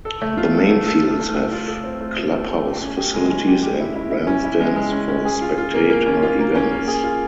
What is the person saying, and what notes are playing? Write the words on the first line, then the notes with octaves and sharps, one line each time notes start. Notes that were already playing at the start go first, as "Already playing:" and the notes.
The main fields have clubhouse facilities and grandstands for spectator events.
A4
A3
F4
A4
A3
A4
A4
A3
A3
F4
A4
C4
A3
F4
A3
A3
G4
C#4
G4
G#3
C#4
G4
G4
E4
E4
E4
C#4
E4
G#3
G#3
C#4
C#4
G#4
F4
F4
A#3
A#3
C#4
F4
A#3
C#4
A#3
G#4
F4